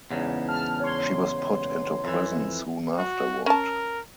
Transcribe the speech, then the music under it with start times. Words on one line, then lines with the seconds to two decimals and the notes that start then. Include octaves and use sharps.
She was put into prison soon afterward.
0.11 E2 G#2 C#3
0.48 A5 F6
0.80 C#5 C6
2.04 F2 E3
2.98 F#4
3.46 C#4 A#4 A5